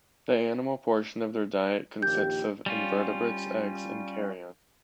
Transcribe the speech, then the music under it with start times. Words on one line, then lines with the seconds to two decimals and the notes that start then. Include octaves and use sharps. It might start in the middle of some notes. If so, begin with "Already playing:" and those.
The animal portion of their diet consists of invertebrates, eggs, and carrion.
2.02 A#1 D#2 G4 G6
2.66 G3 C#4 F4